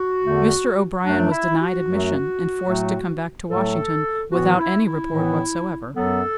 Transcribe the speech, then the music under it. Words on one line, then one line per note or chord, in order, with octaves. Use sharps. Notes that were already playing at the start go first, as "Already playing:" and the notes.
Mr. O'Brien was denied admission and forced to come back to Washington without any report whatsoever.
Already playing: F#4
E2 D3 A3
F#2 F#3 A3 D4
E4
F#4
F#2 F#3 A3
A2 F#3 A3
A2 F#3 A3 A4
A2 E3 B3 F#4
E4
E4
A2 E3 B3
F#2 F#3 B3 A4